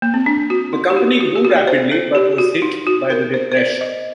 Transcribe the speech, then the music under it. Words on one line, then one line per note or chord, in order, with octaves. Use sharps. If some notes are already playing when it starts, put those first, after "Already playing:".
The company grew rapidly, but was hit by the depression.
A#3
C4
D4
F#4
D#4
G4
F#4
F#4
G4
F#4
C5
A4
G4
F#4
D#4
F#4
A#4
C5
C5
D5
D#5